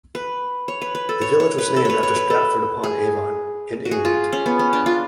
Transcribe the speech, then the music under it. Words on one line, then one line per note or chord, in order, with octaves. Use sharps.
The village was named after Stratford-upon-Avon, in England.
B4
C#5
B4
B4
A4
C#5
C#5
B4
A4
B4 C#5
C#5
B4
A4
G#4
F#4
G#4
F4
C#4
B3
C#4
D4
F4